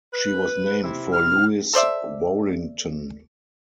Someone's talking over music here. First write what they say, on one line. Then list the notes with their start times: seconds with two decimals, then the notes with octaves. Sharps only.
She was named for Lewis Warrington.
0.13 B4
0.83 C3 E4
1.13 F6
1.73 A4 C5 D5 E5